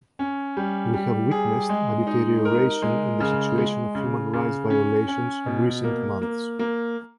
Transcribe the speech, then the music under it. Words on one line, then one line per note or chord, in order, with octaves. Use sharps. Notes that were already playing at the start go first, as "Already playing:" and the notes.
We have witnessed a deterioration in the situation of human rights violations in recent months.
C#4
G3
G3
G#4
G#3
D#4
A#4
G#3
C#3
G#3
C#3
C#3
C#4
C#4
B2
A#3
A#3
A#3